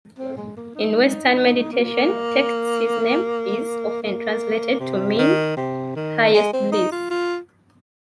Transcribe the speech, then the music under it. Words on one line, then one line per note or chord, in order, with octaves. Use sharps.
In Western meditation texts his name is often translated to mean "Highest Bliss".
C4
G#3
A#3
D#4
A#3
A#3
C3
D#3
C3
D#3
G#3
C4
D#4
F4
F4